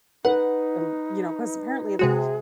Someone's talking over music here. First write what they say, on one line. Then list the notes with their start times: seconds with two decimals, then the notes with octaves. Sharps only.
um you know, 'cause apparently, like,
0.25 D#4 B4 F#5
1.99 C3 G#3 F#4 G#4